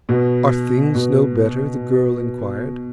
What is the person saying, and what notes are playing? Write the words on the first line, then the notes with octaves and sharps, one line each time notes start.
'Are things no better?' the girl inquired.
B2
B2